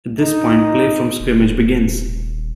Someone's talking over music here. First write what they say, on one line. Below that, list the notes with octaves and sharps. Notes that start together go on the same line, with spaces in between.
At this point, play from scrimmage begins.
D#4
D#1